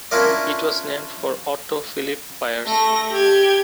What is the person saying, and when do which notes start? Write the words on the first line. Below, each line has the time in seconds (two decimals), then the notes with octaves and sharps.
It was named for Otto Phillip Byers.
0.11 C#4 D4 E4 F4 A#4 D5
2.66 A3 A#6
3.12 G4 G#6